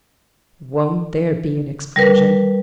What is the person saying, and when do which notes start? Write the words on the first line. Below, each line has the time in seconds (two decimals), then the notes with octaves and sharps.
Won't there be an explosion!
1.96 G3 A#4 B4